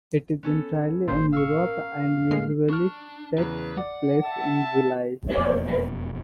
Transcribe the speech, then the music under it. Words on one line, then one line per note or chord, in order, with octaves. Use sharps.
It is entirely in Europe, and usually takes place in July.
B3 C#4 A4
G#1 A#2 C5
F5 C#6 E6
A#4
A2 G#3 A#3 F6 C7
D4 C#6 F6
E2 C#3 B4
D5 F#5
E5 A5
E1 F2 B2 A#3